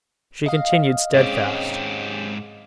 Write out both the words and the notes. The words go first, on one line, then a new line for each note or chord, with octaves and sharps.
She continued steadfast.
D#5 F5
G#2 G#3 C4 C#4 G4